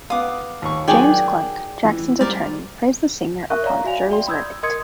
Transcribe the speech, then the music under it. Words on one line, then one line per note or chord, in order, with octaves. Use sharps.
James Klenk, Jackson's attorney, praised the singer upon the jury's verdict.
B3 F5 D6 D#6
D#2 C#6
D#3 F#3 G#4 D5 G5
E3
G3 C4 A#4 D5
A#4 E5 C#6 F#6
C#5 D5 E5 F5 A#5
F#4 E5 F5 G#5 F7
D5 G5 B5 C6
B5 D#6 E6 G6 G#6
A#4 D#5 C6 D#6 G#6 C#7